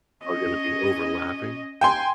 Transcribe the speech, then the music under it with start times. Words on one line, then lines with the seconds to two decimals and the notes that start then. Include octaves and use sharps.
are going to be overlapping.
0.24 C#4 D#5
1.81 G5 G#5 C6